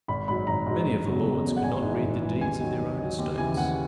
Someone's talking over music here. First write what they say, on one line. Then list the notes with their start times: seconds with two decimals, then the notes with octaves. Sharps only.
Many of the lords could not read the deeds of their own estates.
0.08 G#1 B5
0.28 G#2 F#3 B5
0.47 G#1 A#5
0.66 G#2 F#3
0.86 E1
1.05 E2 C#3 F#3
1.25 E1
1.44 E2 C#3 F#3
1.56 F#5
1.63 G#1 G#5
1.82 G#2 E3
2.02 G#1
2.21 G#2 E3
2.41 D#2 G#5
2.60 D#3 F#3
2.79 D#2
2.99 D#3 F#3
3.19 D#2
3.37 C#3 E3 G#5
3.57 D#2 F#5